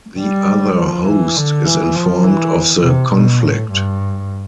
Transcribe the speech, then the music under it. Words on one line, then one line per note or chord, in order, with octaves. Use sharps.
The other host is informed of the conflict.
G3
F3
E3
D3
E3
F3
E3
C3
B2
A2
G2